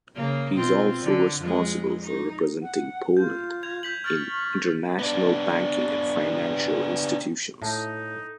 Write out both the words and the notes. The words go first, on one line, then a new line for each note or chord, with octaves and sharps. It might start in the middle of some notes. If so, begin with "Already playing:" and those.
He is also responsible for representing Poland in international banking and financial institutions.
C#3 A#3
B2 C4 F4
D3
F2 G#3
D#4
F#5
F4 G6
G#6 F7
G6 B6 F#7
C#6 F6 A6 F#7
B3 D4
A2 D#4 A4 E5 F#5 A5